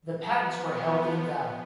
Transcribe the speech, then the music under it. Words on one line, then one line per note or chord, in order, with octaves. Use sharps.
The patents were held invalid.
F3 B3